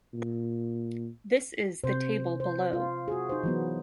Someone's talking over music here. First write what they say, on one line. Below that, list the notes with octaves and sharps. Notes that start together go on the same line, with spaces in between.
This is the table below.
A#2
C3 C5
C5
F4
F#4 G#4
D#4 C5
E3 F#3 B3